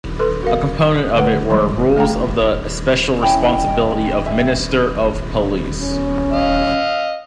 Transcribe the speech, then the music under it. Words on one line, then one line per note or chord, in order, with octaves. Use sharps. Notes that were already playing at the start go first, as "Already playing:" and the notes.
A component of it were "Rules of the especial responsibility of minister of police".
A4 B4 C6
F#4 A#4 F5
D3 A3 B4 F#5
E3 G3 G#3 C#5 C6
A3 F5 G5 A#5
C#4 E4 G5 G#5
D#5 E5
E5 G#5
C#4
D#5 F5